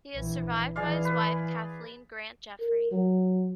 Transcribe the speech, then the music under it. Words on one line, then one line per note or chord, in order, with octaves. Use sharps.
He is survived by his wife, Kathleen Grant Jeffrey.
A#1 E3
E3 G#4 D5 F5
B4
A#4
F#3